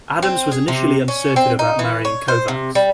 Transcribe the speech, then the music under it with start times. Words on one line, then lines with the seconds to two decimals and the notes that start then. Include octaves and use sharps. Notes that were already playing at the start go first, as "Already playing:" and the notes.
Adams was initially uncertain about marrying Kovacs.
0.23 C4
0.52 G#4
0.68 C3
1.08 C#4
1.36 C4
1.59 D#4
1.79 E3
2.05 C#5
2.28 C5
2.48 C3
2.75 G3